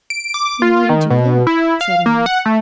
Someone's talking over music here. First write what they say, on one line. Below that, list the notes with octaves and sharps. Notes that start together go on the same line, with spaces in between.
'Then where did you live?' said Una.
D7
D6
F4
D#3
B2
E4
F5
A#3
F#5
A3